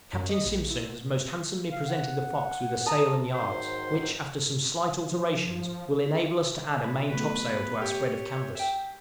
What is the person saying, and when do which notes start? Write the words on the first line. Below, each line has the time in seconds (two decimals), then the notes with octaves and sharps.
Captain Simpson has most handsomely presented the 'Fox' with a sail and yards, which, after some slight alterations, will enable us to add a main topsail to our spread of canvas.
0.13 F#2
0.29 D#5
0.46 A#1
0.70 E4
1.72 F5
1.87 F#5
2.86 A5 A#5 D#6
3.34 G#2 D#3 F#3 C5
5.12 F3
6.84 B5
7.10 B2 F#3 A3 B4
7.82 G4 C#5
8.55 E5 G5